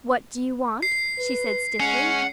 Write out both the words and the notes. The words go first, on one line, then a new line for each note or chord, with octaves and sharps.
"What do you want?" she said stiffly.
C7
B4
G#3 C#4 F#5